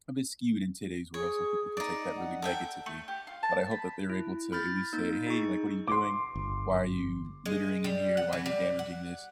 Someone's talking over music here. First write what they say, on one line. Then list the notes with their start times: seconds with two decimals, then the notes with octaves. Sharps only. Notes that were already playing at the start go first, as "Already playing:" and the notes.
a bit skewed in today's world, some people can take that really negatively, but I hope that they're able to, at least, say, "Hey, like, what are you doing? Why are you littering in here? Why are you damaging this?"
1.14 G#4 C#5
1.77 D#4 D5
2.18 F#5
2.42 A4 E5 G5
2.86 A3
3.08 G4
3.27 F4
3.43 A5
3.71 B5
4.10 E4
4.52 B5 F6 G6 A6
4.93 A#3 D#4 G6
5.27 D#4 G#4 C#6
5.88 C6 D6
6.35 G1
7.46 G#3
7.84 G3
8.17 F#5
8.33 E3
8.46 G3
8.79 F#5